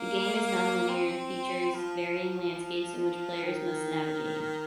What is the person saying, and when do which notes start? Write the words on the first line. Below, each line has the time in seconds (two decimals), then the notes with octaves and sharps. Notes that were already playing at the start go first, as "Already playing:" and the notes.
The game is nonlinear and features varying landscapes in which players must navigate.
Already playing: A#3
0.89 C4
1.74 F3
3.43 D#3